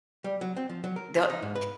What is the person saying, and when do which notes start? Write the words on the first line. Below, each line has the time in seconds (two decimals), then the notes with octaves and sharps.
the e
0.24 G3
0.41 F#3
0.56 C4
0.69 F3
0.84 F#3
0.96 A#4
1.17 C5
1.30 D#4
1.42 G#2
1.55 B4